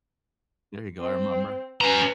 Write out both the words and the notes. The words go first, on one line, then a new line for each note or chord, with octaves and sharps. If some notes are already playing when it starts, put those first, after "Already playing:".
there you go. I remember.
C4
C#4 B4 A#5